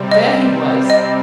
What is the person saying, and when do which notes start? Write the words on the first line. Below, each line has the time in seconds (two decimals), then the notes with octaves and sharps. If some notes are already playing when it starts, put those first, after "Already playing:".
There he was.
Already playing: C3 G3 C4
0.11 D#5
0.90 D#5